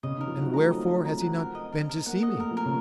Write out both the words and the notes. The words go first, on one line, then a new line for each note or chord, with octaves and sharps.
"And wherefore has he not been to see me?"
C#3 D#5
D#3 A#4
F3
F#3 F#5
A3 A#5
C4 D#5
A#5
C4 A#5
F#5
A#4
D#5
A#4
A#4
A#3 F#5
D#5
A3
A#4
F3
A#4
C#3